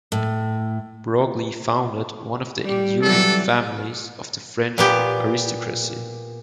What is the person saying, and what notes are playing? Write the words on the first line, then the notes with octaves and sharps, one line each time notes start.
Broglie founded one of the enduring families of the French aristocracy.
A2
G3 G4
E3 F#3 G3 A4
A#2 B3 G4